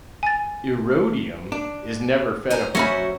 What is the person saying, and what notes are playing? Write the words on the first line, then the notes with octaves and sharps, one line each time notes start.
"Erodium" is never fed upon.
G#5 A6
D4
C5 G#5 A#5
F#3 C#4 F#4 C5 C#5 E5 B5 C#6